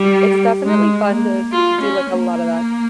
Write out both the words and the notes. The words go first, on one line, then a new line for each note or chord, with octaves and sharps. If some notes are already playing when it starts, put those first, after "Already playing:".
It's definitely fun to do, like, a lot of that s
Already playing: G3
G#3
A#3
F4
C#4
A#3